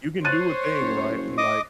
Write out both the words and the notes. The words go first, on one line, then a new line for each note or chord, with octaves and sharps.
you can do a thing, right? And, like,
C5 C#5 F#6 A6 D#7
F#1
D#5 D6 D#6